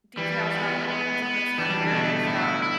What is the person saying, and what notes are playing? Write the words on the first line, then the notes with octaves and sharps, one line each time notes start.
details about New Orleans and the surrounding area and stuff,
E3 G3
B3
B3
B3
E3 D4
G3
E3
D3
B2 A3
A2 E4
E4